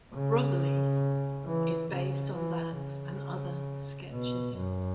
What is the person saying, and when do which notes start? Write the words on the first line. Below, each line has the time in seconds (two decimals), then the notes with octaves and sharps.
Rosalie, is based on that and other sketches.
0.13 C#3
1.45 E3
1.91 C#3
2.34 E3
2.79 C#3
4.11 B2
4.55 F#2